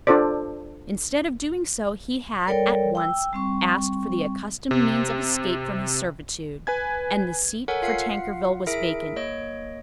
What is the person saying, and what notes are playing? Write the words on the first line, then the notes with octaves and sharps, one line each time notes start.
Instead of doing so he had at once asked for the accustomed means of escape from his servitude, and the seat for Tankerville was vacant.
D4 F4 A4 C5 D5
G3 A4 A#4 C#5 D5 G5
G5 E6
G3 C4 C#6
C3
B4 G#5 G#6
A4 A#4 C#5 F#5 G#5
F4 F5 F#5 C7 C#7
E4 G#4 A#4 E5 D7
A#3 C#5 D#5 D7